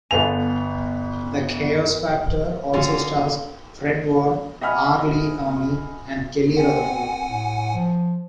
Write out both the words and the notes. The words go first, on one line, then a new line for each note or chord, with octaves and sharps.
"The Chaos Factor" also stars Fred Ward, R. Lee Ermey, and Kelly Rutherford.
G1 B3 A4 F5 G#5 F7
D3 C#4 F4 F#4
D#5 E5 F#5 G#5 B5 F6
C4 F#5 G#5
A2
F3